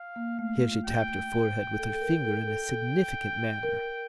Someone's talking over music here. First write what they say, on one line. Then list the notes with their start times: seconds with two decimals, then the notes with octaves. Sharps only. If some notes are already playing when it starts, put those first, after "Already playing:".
Here she tapped her forehead with her finger in a significant manner.
Already playing: F5
0.16 A#3
0.39 A3 F5
0.63 F4
0.86 G5
1.79 A4
1.94 A4
2.02 A#4
2.25 A4
2.48 A4
2.71 A4
3.63 A#4